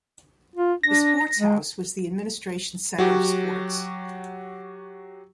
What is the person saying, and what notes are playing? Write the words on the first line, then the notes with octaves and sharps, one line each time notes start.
The Sports House was the Administration Centre of Sports.
F4
D4 A#6
G#3
F#3 F#4 G4